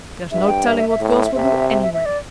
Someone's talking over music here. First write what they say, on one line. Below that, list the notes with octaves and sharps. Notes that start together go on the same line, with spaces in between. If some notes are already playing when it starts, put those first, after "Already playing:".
There's no telling what girls will do anyway.
G2 E5
G5
E5
E5
E5
A2
E5
C3 E5
E5
E5
E5
D5